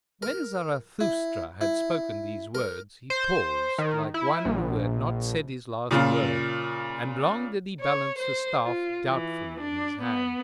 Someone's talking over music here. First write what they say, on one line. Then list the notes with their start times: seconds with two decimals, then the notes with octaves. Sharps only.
When Zarathustra had spoken these words, he paused, like one who had not said his last word; and long did he balance the staff doubtfully in his hand.
0.22 A#4
1.01 E4
1.61 E4
2.55 A#4
3.10 C5
3.78 D#3
4.14 E4
4.45 A#1
5.91 A#2 C#3 F4
7.81 C#5
8.18 C5
8.62 F4
9.09 E3
9.60 D4
10.02 B3